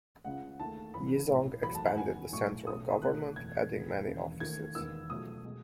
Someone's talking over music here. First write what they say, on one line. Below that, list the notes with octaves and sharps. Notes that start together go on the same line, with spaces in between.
Yizong expanded the central government, adding many offices.
C#2 C#3 G#3 F#5
D#2 D#3 A3 A5
A1 A2 E3 B5
B1 A2 G#3
F#1 E2 D#3 F#3 A3 B5
A5
F#5
E2 D#3 G#3 B3 G#5
B1 A2 F#3 A3 C#6
B1 B2 A3 D#6
C#2 B2 A3 F#6
F#1 E2 B2 A3 G#6
E2 B2 G#3 B3
E1 D#2 C#3 E3
D#2 D#3 A3 G#6
E1 D#2 D#3 G#3 B3 E6
C#2 B2 F#3 A3 D#6
B2 G#3